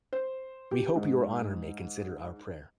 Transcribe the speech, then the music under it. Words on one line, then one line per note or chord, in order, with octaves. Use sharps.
We hope your honour may consider our prayer.
C5
G4
G#2